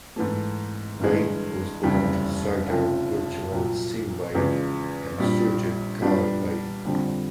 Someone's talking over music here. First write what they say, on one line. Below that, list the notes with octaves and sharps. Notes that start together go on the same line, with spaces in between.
Vaid was born to Sardar Gurcharan Singh Vaid and Surjit Kaur Vaid.
G#2 E3 A3
G1 G2 E3 G#3
F1 D#2 C#3 E3 G3
F1 F2 C#3 F3
C2 A#2 F#3
E2 C#3 F3 G#3
A#1 A#2 G3
A#2 G3 B3 D4
F2 D3 G3 C4